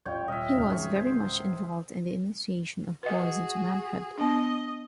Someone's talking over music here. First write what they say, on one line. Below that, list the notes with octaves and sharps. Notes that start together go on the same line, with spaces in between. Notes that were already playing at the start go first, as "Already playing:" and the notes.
He was very much involved in the initiation of boys into manhood.
A1 F4 C#5 G5
D#1 F4 D#5 E5 F6
G#1 C#2 F6
G#4 C#6
C5
F#4 G#4 B4 D#5
B3 D4 D#5